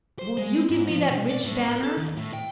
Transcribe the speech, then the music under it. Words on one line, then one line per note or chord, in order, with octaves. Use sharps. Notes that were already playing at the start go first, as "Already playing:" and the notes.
Will you give me that rich banner?
C5
G#3
G#2
F3
B2
D5
A2
A#4
A4
D#2
A2
G5